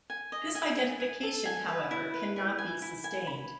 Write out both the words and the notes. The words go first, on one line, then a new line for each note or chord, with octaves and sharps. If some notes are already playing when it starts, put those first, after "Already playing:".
This identification, however, cannot be sustained.
G#5
D#5
G#5
G#5
G#5
A4
G#5
B4
E4
B4
E4
G#5
E4
G#5
B5